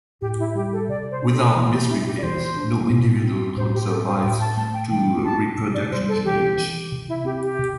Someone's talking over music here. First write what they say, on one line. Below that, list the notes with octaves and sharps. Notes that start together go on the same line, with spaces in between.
Without misrepairs, no individual could survive to reproduction age.
A2 G4
E4
G3 G4
A4
C3 D5
C5
D4
A4
E3 E4
G4
D4 E4
G4
D5
E3 C5
D4
A2
C4
A2 C5
G4
C4 A4
C5
A2 G5
A5
A3 A5
G5
E3 G5
C4 A5
C3
D5
G3 C5
A4
E3 G4
E3
C3
E4
C4 G4
G4
C3